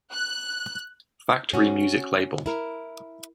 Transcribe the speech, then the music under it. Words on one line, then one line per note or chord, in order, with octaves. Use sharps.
Factory music label.
F#6
C#4 F#4
E4 A#4